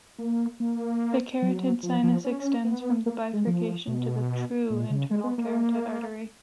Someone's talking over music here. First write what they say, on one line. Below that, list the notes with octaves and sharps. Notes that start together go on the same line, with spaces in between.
The carotid sinus extends from the bifurcation to the "true" internal carotid artery.
A#3
A#3
F#3
F3
F3
C#4
B3
A#3
G#3
F3
B2
A#2
C#3
G#3
B3
A#3